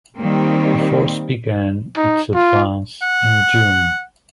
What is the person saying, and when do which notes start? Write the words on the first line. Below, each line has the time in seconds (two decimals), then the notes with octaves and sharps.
The force began its advance in June.
0.17 D#3 G3 A#3 C4
1.97 D#4
2.35 F4
3.02 F#5